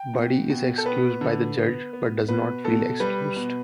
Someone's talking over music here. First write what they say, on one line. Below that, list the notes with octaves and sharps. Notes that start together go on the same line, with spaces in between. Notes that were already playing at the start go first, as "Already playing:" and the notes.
Buddy is excused by the judge, but does not feel "excused".
Already playing: G5
B2
B2
A4
B3 B4
D3
B3
B3
B2 B4
B2 A4
G3 B4
B2